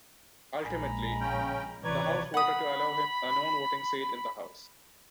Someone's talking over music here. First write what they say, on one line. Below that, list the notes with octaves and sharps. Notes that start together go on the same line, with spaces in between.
Ultimately, the House voted to allow him a non-voting seat in the House.
A#1 A#2 G#3 G#5 A#5 B5
C#3 C#4 G5
G#1 C3 E3 B4 C#5 D5 A#5 G#6
F#5 B5 D#6